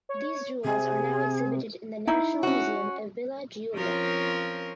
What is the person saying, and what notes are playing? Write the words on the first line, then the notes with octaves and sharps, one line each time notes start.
These jewels are now exhibited in the National Museum of Villa Giulia.
C#5
C3 G#4
D#4 E4
C#4 F#4
F3 C4 C#4 F4 A#4 C#5